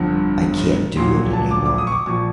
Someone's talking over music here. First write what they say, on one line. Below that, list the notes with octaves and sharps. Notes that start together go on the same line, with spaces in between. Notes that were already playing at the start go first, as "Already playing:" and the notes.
I can't do it anymore.
Already playing: G1 F2 D3
A#1 A#2 F#3 C6
A5
D6
D6
D#6
C#6
D6
A#1 A#2 F3 C#6